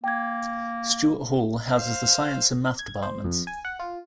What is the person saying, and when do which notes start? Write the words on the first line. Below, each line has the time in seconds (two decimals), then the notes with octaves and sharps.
Stewart Hall houses the science and math departments.
0.04 A#3 G5 G#6
1.76 C5 F5
2.79 G#6
3.02 C5
3.24 F2
3.47 G#5
3.65 F#5
3.79 F4